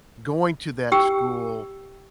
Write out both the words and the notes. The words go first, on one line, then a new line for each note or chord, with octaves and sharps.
going to that school,
G4 G5 E6